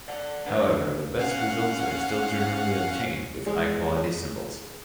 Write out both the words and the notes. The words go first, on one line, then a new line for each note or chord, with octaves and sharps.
However the best results are still generally obtained with high quality cymbals.
D5 F#5
D#2 D4 B4 F#5
C#2
C#4 F5 F#5
G#3